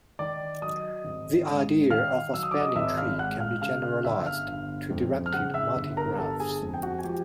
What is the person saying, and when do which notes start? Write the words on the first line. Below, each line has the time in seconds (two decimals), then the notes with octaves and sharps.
The idea of a spanning tree can be generalized to directed multigraphs.
0.19 D#3 D5 D6
0.62 F#3 D#5 D#6
1.05 G#1
1.48 G#2
1.90 D#3 F5 F6
2.34 F#3 E6
2.43 D#6
2.51 D6
2.60 D#5 D#6
2.76 G#1 E5 E6
2.98 F5 F6
3.19 G#2 F#5 F#6
3.40 F5 F6
3.61 C#3 F5 F6
3.83 F5 F6
4.05 G1 E5 E6
4.25 F5 F6
4.47 G1
4.90 F2
5.26 F6
5.32 C#3 F#5 F#6
5.54 E5 E6
5.76 G1
5.97 A#4 A#5
6.18 G1 A4 A5
6.40 G#4 G#5
6.62 F2
6.74 G5
6.83 F#4 F#5
6.99 G#5
7.04 F3 G4 G5